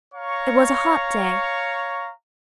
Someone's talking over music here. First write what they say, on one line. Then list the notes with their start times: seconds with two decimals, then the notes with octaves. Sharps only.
It was a hot day.
0.15 C#5 F5 A#5 C#6